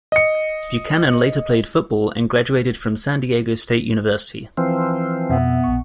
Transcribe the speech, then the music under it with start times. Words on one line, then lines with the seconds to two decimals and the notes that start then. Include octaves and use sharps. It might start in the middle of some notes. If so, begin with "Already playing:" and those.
Buchanon later played football and graduated from San Diego State University.
0.12 D#5 C#7
4.57 E3 F3 C4 C6
5.29 F2 B2 B3 E5
5.64 A#1 C#6